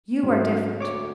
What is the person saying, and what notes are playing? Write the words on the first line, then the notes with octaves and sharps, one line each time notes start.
You are different.
G#2 F#3
D2 C#5 D6